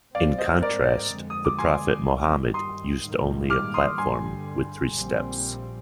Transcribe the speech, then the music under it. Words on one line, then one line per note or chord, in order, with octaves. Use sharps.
In contrast, the prophet Muhammed used only a platform with three steps.
G#1 G#2 G3 C4 D5 F5
C5 D#5
A#4 D5
F2 D3 G#3
D#6
D6
G#5 C6
G2 D#3 G3
C6 D#6
A#1 G#2 D#3 G3 A#3
D6 F6
C6 D#6
G2 D3 G3 G#5 C6
A#1 A#2 G3 C4